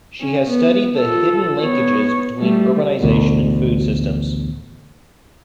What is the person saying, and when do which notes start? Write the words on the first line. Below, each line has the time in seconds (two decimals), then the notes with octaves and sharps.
She has studied the "hidden linkages" between urbanisation and food systems.
0.21 C#4
0.49 B3
0.98 F4 A4
1.60 B3 C#5
2.41 G3 A3
3.02 A1 D2 B2